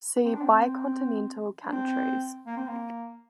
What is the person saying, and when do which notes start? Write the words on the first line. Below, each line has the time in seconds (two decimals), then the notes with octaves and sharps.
See Bicontinental countries.
0.25 C4
0.33 D4
0.42 C4
1.64 D4
1.72 C4
2.46 A#3
2.57 C4
2.68 A#3